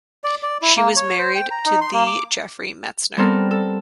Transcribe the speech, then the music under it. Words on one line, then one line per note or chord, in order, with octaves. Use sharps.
She was married to the Jeffrey Metzner.
D5
D5
E4
A#3
C#5
C5
G5
A#5
D#4
C6
A#3
D6
G3 B3 C4 A4 A#4
A4